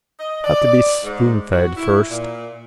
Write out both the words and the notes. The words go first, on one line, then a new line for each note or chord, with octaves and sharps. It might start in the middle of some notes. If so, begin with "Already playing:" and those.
Have to be spoonfed first.
D#5
D5
G#2
F#4
E4
A#2